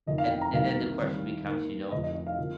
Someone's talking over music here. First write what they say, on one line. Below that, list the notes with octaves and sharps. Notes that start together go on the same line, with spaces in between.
and and then the question becomes, you know,
F1 F2 C3 D#3 D#5
F5
G5
A#5
C2 C3 D#3 G3 A#3 F5
D#2 D#3 G3
D#2 D#3 A#3
F1 F2 C3 F3 D#5
D#5
D#5
F5
C3 F3 A#3